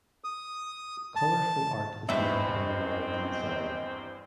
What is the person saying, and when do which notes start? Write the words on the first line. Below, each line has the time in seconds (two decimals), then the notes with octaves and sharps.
Colourful art is mounted on the walls inside.
0.24 D#6
1.16 A5
2.09 E2 G2 C4 B4 D#5 E5